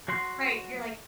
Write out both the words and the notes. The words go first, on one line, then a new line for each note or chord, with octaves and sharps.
Right, you're like,
F#3 F#4 F#5 C6